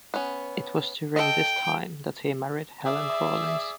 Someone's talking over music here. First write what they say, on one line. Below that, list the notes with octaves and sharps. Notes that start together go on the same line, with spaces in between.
It was during this time that he married Helen Rawlins.
B3 C#4
A4 D#5 G5
G#4 D5 E5